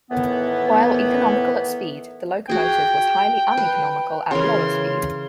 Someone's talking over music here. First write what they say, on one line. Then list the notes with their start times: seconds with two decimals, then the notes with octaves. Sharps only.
While economical at speed, the locomotive was highly uneconomical at lower speed.
0.11 A2 D#3 E3 B3
2.50 F#4 G#4 G5
3.57 B4
4.31 C#3 E3 A#4 C6